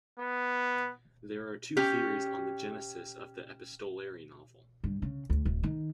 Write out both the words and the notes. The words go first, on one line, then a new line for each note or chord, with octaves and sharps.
There are two theories on the genesis of the epistolary novel.
B3
C#4 G4
G2
C#3
D2
D1
D#3